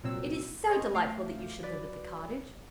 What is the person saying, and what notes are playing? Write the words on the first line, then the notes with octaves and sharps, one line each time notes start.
It is so delightful that you should live at the cottage!
C2 A#2 F#3 C4 E6
A#4 C5 C#5 D#5
A3 F5 D6 G6
F#3 B4 D5